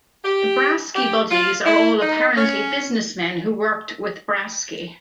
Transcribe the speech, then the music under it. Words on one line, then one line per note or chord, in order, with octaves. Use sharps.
The Brasky Buddies are all apparently businessmen who worked with Brasky.
G4
G4
F4
E4
D#4
C#4